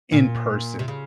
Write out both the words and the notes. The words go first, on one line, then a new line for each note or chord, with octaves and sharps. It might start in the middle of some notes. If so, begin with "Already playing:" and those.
in person?
A#2
C3
C#3